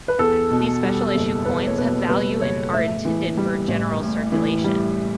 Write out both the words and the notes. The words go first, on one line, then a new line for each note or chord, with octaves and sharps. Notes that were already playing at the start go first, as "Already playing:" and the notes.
These special issue coins have value and are intended for general circulation.
B4
E2 A4
B2
G3
F#1
E2 B4
C#5
B2 B4
G3 B4
F#1 C#5
A2 E5
E3
G3
A1
A2
E3
G3